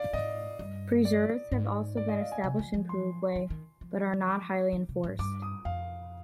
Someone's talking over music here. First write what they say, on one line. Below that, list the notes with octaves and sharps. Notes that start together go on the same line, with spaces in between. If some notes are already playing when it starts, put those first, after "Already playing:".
Preserves have also been established in Paraguay, but are not highly enforced.
Already playing: D5 F5
G#2 D#5
G2
D5
G#2
D5
D#5
F5
G#5
C3
F3
F3
C6
D#3
D#3
F3
D6
D#3
C3
G#2
G2 D6
D#6
F2 F5